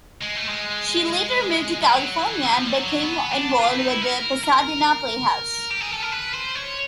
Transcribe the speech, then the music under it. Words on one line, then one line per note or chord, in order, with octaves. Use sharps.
She later moved to California and became involved with the Pasadena Playhouse.
G#3
A3
G#3
G3
F#3
E3
F#3
F3
G3
F#3
B3
D4
F4
E4
D#4
E4
A#4
A#4
G4
G#4
A4
A#4
B4
C5
C#5